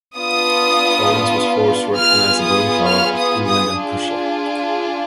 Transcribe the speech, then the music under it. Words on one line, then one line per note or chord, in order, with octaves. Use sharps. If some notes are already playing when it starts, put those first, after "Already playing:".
France was forced to recognize the growing power of England and Prussia.
B3 D4 F4 D#6
B3 F4 G#4 F6
D#6
F6
D#6
D#6
D4 F4 G#4